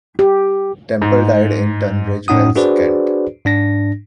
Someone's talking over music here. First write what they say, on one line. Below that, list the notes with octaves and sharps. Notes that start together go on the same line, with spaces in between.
Temple died in Tunbridge Wells, Kent.
G4
G#2
A2 C#4 D#4 F#5 D#6
D4 F#4 G#4 B4 C5 D5
G#2 D4 A#6